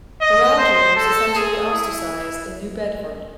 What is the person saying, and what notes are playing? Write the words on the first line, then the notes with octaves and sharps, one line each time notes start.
Araujo was essentially ostracized in New Bedford.
D#5
C5
A4
G#4
E4